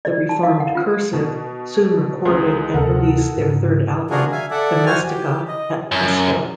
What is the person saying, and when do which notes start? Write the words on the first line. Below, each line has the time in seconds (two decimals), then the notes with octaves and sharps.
The re-formed Cursive soon recorded and released their third album, "Domestica," at Presto!
0.05 D5
0.29 A5
0.43 F5
0.60 F#5
0.75 F4
1.13 B2
2.25 C#2 G#3 B4 D#6
2.74 D2 C3 A4 A#4 F#5
3.37 G#2 C#3
4.10 D4 F4 F#4 G#4 A#4
4.32 E5 F5 G#5
4.51 A4 D5 E5 F#5
4.86 F#4 C5 G#5 F6
5.08 G4
5.48 D#5
5.92 F#2